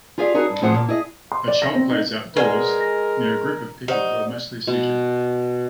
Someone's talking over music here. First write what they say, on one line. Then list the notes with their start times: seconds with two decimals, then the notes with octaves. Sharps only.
A child plays outdoors, near a group of people who are mostly seated.
0.18 F4 G4 G#4 D5 F5
0.34 D#4 F#4 G#4 A#4 C#5
0.50 G2
0.62 A2 E3 F3 G#4 C5 F#5
0.74 A#2
0.88 E4 G#4 D#5
1.32 C6
1.48 D5
1.62 A#6
1.75 C4
1.90 D#4
2.37 G#3 A#4 B4 D5 F#5
2.80 A#6
3.88 D#4 G4 C5 F#5
4.67 B2